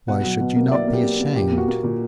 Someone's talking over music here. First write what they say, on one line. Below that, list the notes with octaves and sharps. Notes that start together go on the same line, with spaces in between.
Why should you not be ashamed?
B2 F#5
F#3
B2
A#3
E5
A#3 D5
A#3
G4
A#3
A#3
A#2 G4
A#3
F#4
A#3
A#2